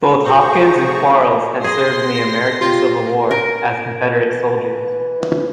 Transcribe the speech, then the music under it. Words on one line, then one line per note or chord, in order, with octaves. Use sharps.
Both Hopkins and Quarles had served in the American Civil War as Confederate soldiers.
A3 F#4 G#4 C5 A#5 C#6
G#4 C6 A#6 C7
F4 G4
A#4
E3
E3